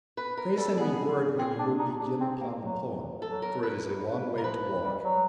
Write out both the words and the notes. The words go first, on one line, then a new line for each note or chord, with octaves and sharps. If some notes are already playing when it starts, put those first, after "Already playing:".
Pray send me word when you will begin upon the poem, for it is a long way to walk.
B4
A#4
G3 A4
G4
B3 G#4
C4 G#4
D4
D#4
D4
C4
A#3
F#3
F#3 A4
A#4
B4
A#4
F3 B4
G3
F#3